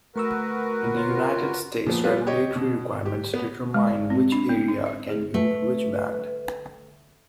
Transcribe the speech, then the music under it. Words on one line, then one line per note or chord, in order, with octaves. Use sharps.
In the United States, regulatory requirements determine which area can use which band.
A3 F#4 A#4 B4 C#6 E6
F4 C#5
A#2 F3 B3
G3 B3 F4 B4
G4 C#5 D#5
B2
G4
B3
G#3
D5
C4
D4
B3
D#4
E5
G#4
A3 B4